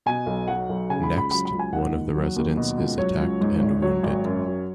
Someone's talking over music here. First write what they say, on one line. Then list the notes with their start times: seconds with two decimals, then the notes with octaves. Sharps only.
Next, one of the residents is attacked and wounded.
0.06 B2 G#5
0.26 B1
0.48 F#3 F#5
0.69 B1
0.90 C#3 G#5
1.03 B5
1.10 C#2
1.18 B5
1.31 F#3 B5
1.45 B5
1.52 C#2
1.59 G#5
1.73 D#3 F#5
1.94 D#2
2.15 F#3
2.36 D#2
2.57 B2
2.78 C#2
2.98 F#3 C#5
3.20 C#2
3.41 G#2
3.61 G#1
3.82 F#3 C#5
4.03 G#1
4.25 F#2
4.46 F#3